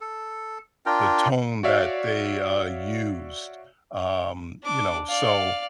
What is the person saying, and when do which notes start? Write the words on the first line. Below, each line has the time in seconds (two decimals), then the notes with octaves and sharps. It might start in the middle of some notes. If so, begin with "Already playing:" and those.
The tone that they, uh, used, um, you know? So,
0.01 A4
0.86 D4 F4 A#4 G5
1.63 F#4 C#5 D5 E5 F5
4.63 D4 D6
5.07 D5 F5